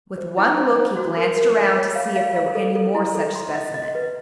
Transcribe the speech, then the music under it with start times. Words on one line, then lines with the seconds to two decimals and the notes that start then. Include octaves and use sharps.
With one look he glanced around to see if there were any more such specimens.
0.18 C5
0.38 E4
0.57 C5
0.77 C5
0.96 F#4
1.17 A#4
1.36 A#4
1.57 D5
1.77 C#5
1.95 F5
2.16 F5
2.36 F5
2.55 A4
2.75 A4
2.95 E4
3.15 A4
3.36 C6
3.55 D#5
3.74 D#5
3.95 B4